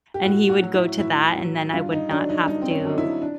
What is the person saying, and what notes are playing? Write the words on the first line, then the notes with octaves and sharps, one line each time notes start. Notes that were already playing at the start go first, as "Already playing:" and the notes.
and he would go to that, and then I would not have to,
G4
A2 F#4
F#4
F#3
E4
A2 E4
F#3
G2 F4
D#4
D3 F#3 D4
D#4
G2 D#4
C4
C#4
D4
D3 F#3 D#4
E4
D4